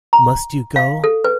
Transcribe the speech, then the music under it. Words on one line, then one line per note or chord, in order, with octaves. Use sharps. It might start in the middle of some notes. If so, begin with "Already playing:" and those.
Must you go?
A#5
F5
A4
B4